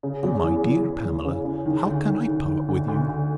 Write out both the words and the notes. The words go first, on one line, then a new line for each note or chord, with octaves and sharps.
O my dear Pamela, how can I part with you!
C#3
E2
E3
E3
E2
E3
C#3
C#3
D#3
D2
D#3
D#3
D#3
D2
D2
D2